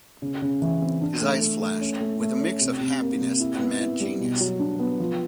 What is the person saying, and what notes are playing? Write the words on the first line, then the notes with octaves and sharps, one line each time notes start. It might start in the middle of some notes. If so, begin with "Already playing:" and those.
His eyes flashed with a mix of happiness and mad genius.
C#3
C#3
E3
C4
D4
A3
A3
A3
C#4
A3
A3
C#4
C3
C3
A#3
C3
E4
B3
E4
G3
B2
F#3
D4
B3
F3